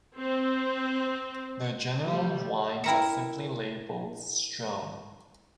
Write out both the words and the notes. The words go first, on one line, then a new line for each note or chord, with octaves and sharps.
Their general wines are simply labelled Strewn.
C4
G3 A3
E4 A#4 E5 G5 A#5 C#7